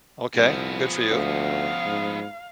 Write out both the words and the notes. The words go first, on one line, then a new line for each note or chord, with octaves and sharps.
Okay. Good for you.
C2 F3 B3
D2 F5
G#2